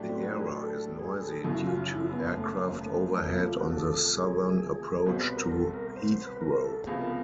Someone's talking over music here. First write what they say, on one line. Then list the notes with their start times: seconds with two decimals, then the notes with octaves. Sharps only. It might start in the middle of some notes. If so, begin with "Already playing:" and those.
The area is noisy due to aircraft overhead on the southern approach to Heathrow.
Already playing: A2 F#3 A3 D4 G4
0.09 C4
0.23 F#4
0.39 G#4
0.54 A4
0.99 G#4
1.22 A4
1.28 G#4
1.36 A4
1.44 F#1 F#2 C#3 E4
1.67 F4
1.90 E4
2.13 B3
2.34 A3
2.57 A#3
2.80 A3
2.96 A#3
3.11 A3
3.25 C3 F3 A3 A#3
3.36 B3
3.48 F4
3.60 F#4
3.70 A4
4.15 G#4
5.06 C2 B2 G3 C4 C5
5.23 B4
5.37 A#4
5.52 A4
5.74 A#4
5.96 C5
6.12 C5
6.27 B4
6.41 A#4
6.65 A4
6.87 C#2 C3 F3 G#3 B3 G#4
7.02 A#4